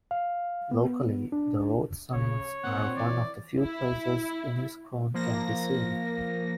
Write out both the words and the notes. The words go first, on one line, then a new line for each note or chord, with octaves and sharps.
Locally, the road signs are one of the few places "Inniscrone" can be seen.
F5
B3
D4
C#3 C#5
A#2 C4 F#5
E3 D5
E4
F3 A#3 A#6